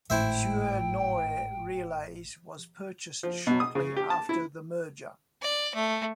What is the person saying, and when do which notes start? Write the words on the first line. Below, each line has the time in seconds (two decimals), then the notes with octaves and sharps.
Suir-Nore Relays was purchased shortly after the merger.
0.10 G#1 A2 E4 C5 E5 G5
3.23 F3
3.47 B2
3.60 D#6
3.75 C#3
3.97 G4
4.10 A5
4.29 E4
5.42 D5
5.75 A3